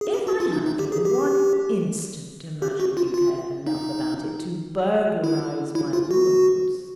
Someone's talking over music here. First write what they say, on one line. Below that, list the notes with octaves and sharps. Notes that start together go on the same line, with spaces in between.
If I had for one instant imagined you cared enough about it to burglarize my rooms ...
G#4
G4
F#4
F4
D#4
D#4
G4
G#4
G4
G4
F#4
F4
F4
D#4
E4
E4
F4
F#4